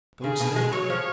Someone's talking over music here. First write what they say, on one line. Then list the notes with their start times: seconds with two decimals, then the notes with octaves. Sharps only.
Goats, then?
0.24 C#3 G#4
0.40 B2
0.56 G#3
0.73 F#3 C#5
0.90 F3